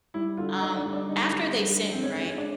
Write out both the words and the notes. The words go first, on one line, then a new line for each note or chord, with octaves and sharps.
um, after they sinned, right?
G3 E4
D3 F4
D3 D#4
D4
G3
D4
D3 D#4
G3
D3
D3
C4
G#3 C#4
C#4
G#3 C#4
D4